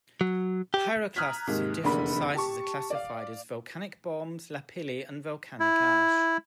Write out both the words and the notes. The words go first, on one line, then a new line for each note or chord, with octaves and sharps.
Pyroclasts of different sizes are classified as volcanic bombs, lapilli, and volcanic ash.
F#3
G4
A#5 D#6 F6 F#6 G#6 B6
D#2 G#2 C3
F1 E2 D3 A#3 B5
G4 A5 C#6
D5 F5
E4